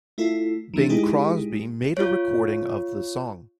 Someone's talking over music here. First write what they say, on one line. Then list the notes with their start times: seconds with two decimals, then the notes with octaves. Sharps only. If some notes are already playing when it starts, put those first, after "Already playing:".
Bing Crosby made a recording of the song.
0.18 A3 E4 F4 A4
0.74 D#3 E3 A3 D4
0.89 G#3 D#4 E4 G4 G#4
1.97 F4 C#5